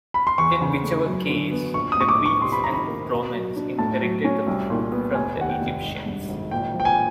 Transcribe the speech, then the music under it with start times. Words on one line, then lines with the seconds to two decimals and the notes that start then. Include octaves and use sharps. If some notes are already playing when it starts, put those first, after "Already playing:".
In whichever case, the Greeks and Romans inherited the foot from the Egyptians.
0.14 B5
0.27 C6
0.38 E2 C#6
0.61 C#3
0.83 A3
1.06 F#2
1.29 D3
1.51 B3
1.74 A#1 C#6
1.92 D#6
1.97 A2 C#6
2.09 D6
2.19 A3
2.26 C#6
2.42 C3 C6
2.52 B5
2.64 D#3 A#5
2.74 B5
2.88 A#3
3.11 B2
3.33 F#3
3.56 D4
3.79 A2 A5
4.01 F#3
4.25 C#4
4.47 C2
4.70 A#2
4.92 B3
5.15 F1 G#5
5.37 D#2 F#5
5.50 G5
5.61 F1
5.83 G#1
6.06 G2
6.29 G#1
6.51 A#2 G5
6.74 F3
6.80 G5
6.85 G#5